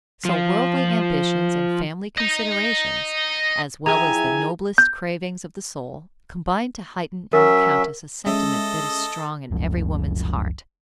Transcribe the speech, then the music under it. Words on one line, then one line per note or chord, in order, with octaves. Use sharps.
So worldly ambitions and family considerations, as well as the noblest cravings of the soul, combined to heighten in the Countess a sentiment that is strong in every woman's heart.
F3 F4
D#5 A#5
E3 F3 G4 G#4 E5 G#5 A#5
G6
F#3 C#4 A#4 E5
G#3 C#4 A4 D#5 E5
F#1 C#2 F3